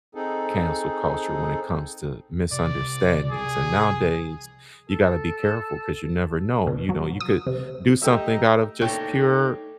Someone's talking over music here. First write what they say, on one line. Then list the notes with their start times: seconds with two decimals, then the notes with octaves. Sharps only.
cancel culture when it comes to misunderstandings, and nowadays, you gotta be careful 'cause you never know. You know, you could do something out of just pure,
0.15 C4 D#4 G#4 A4
2.52 C2 D5
3.31 G#4
4.90 A4
6.67 B2
6.89 F#3
7.20 D#6
7.47 C3
8.02 A3 D#4 G4 E5 G5
8.81 A3 D#4 C#5 G5 A5